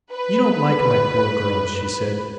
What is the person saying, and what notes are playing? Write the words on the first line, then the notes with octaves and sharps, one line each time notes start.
"You don't like my poor girls," she said.
B4